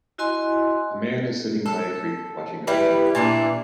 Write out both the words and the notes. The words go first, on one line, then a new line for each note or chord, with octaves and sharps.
A man is sitting by a creek, watching a fishing pole.
E4 F#4 D#5 G#5 C6
A4
G3 E4 B4
A#2 E3 D4